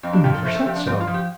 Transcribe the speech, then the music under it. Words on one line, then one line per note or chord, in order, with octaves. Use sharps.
"You never said so."
F2 C4
D4
F3 G4
A4
A3 C5
A4
F3 G4
D4
F3 C4
F4
F3
G4